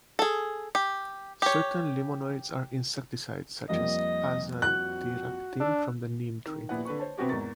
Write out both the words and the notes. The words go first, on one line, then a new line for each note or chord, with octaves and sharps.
Certain limonoids are insecticides such as azadirachtin from the neem tree.
G#4 A4
G4
G4 C#5
F2 G3 A#3 D#5
F#4 F#6
D4 E6
D#3
D#1 A#1 B3 E4 B4 F#5
D3 B4 C#6
C5 C#5 A5
C3 B3 C4 F#4 G4
E2 G#2 A#3 A#5 C#6 A6